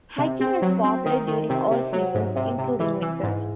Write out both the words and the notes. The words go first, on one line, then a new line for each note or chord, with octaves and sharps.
Hiking is popular during all seasons, including winter.
C3
C4
F#3
C4
D#3
D#3
C3
C3
F#3
G#2
C3
C3
E3
E3
G#2